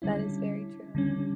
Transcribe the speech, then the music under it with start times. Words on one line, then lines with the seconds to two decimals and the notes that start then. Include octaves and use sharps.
That is very true.
0.02 D3 G3 C#4 E4
0.95 D3 G3 C#4